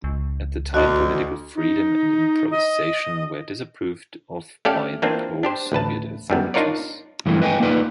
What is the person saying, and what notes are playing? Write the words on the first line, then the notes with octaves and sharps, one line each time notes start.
At the time, political freedom and improvisation were disapproved of by the pro-Soviet authorities.
C#2
D2 F#4 D#5
D#4
D#5
A3 C#4 G4 A4 D5 F5
E3 A#3 C4 D4 F4
D4 G4 C5
A1 D2 B4 A5
F#2 G3 B3
D4 D#4 F4 A#4 C#5 D5
G2 E3 F3 A3 C4
B4 D#5 G5 G#5
A#3 D#4 F4 B4 D5